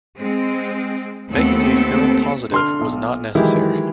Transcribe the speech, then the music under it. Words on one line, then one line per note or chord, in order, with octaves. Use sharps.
Making a film positive was not necessary.
G#3 C4
D#2 A3 B3 C4 A4
D3 C6 F6
B1
D#3 E3 F#3 G#3 E4 G4